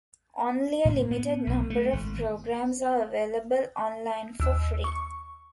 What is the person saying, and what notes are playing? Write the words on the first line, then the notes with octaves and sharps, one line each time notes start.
Only a limited number of programs are available online for free.
A2
B3
B1
A3
G#1
D#2 E6
C#6